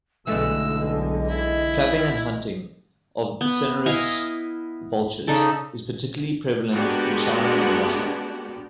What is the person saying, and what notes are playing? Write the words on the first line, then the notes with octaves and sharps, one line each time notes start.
Trapping and hunting of cinereous vultures is particularly prevalent in China and Russia.
B1 D3 E3 G#3 A3 D#5 E6
E4
B3
E4 D#5 F5 G#5
C#3 D#4 A4 D5
G#3 A#3 B3 D4 F#4 G4